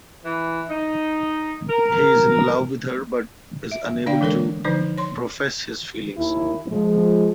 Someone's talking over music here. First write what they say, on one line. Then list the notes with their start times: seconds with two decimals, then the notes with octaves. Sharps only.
He is in love with her but is unable to profess his feelings.
0.24 E3
0.70 D#4
1.68 A#4
3.71 E5
4.06 D3 D4 D5 F5 G5
4.21 E3 G#3 A4 A#4 C#5
4.65 D3 F3 D#4 C5
4.98 C#5 C6
6.17 D#2 E4
6.72 F3 G#3